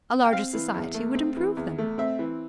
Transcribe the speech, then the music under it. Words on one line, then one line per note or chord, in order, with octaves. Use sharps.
A larger society would improve them.
G5
C4 F5
E3
E2
A3
C4
E3
E2
A3
C4 E5
E3